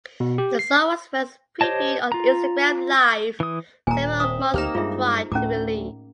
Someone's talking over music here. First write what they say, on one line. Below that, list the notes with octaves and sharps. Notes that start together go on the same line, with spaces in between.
The song was first previewed on Instagram live several months prior to release.
B2
G4
C7
G4 C5 C#5 D#5 A5
F4 A#5
E3 D#6
D#1 A#2 G#5 A#5
C4 E5 D#6
D2 A#3 D#4 G4 F6 E7
G2 G#3 F4 G#4 E5
D2 A2 A3 C#4 A#5 D6